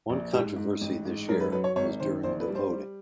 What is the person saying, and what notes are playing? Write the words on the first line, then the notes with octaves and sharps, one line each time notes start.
One controversy this year was during the voting.
A#1
G#2 G4
G#2
A1
G#2
F#2 A#4
B4
F#3 B4
C#5
G#1 C#5
D#3 C5
A#1 C5
B4
G3
C5
G3